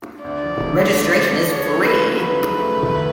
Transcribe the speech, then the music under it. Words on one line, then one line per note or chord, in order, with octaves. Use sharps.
Registration is free.
D2 D5
F3
A3
D3
D2
F3
C#3 C#5
A3
B4
F4
F#3 B4
C#3
A3
F1